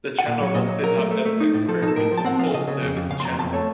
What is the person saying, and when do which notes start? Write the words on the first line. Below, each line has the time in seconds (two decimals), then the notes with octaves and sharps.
The channel was set up as an experimental full service channel.
0.19 F#5
0.26 A#2 F5
0.40 F#3
0.47 C#5
0.54 A#2 D#5
0.68 F#3
0.83 F#3 A#4
0.98 A3
1.11 A3
1.25 A3
1.40 D#4
1.54 A2
1.68 F3 A4
1.82 D#4
1.88 A4
1.96 A2 A#4
2.12 F3
2.17 A5
2.25 C4 F#5
2.39 F3 F5
2.54 C#3 D#5
2.68 C#3
2.82 F2
2.96 F2
3.11 C#3 F5
3.20 C6
3.25 F2 A#5
3.38 F2 A5
3.53 A3 C#5